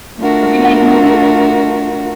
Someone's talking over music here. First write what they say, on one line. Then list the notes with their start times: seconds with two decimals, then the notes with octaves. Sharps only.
Don't you like movies?
0.19 A3 D4 F4 F#4 A#4